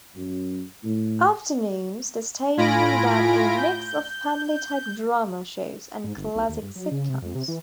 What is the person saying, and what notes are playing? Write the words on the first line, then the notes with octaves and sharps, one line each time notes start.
Afternoons the station ran a mix of family type drama shows and classic sitcoms.
F#2
A2
A2 F4 G#5 B5 A#6 D7
G6
G#2
G1
B1
D#2
G2
F#3
C#3
C3
F2
C3
E3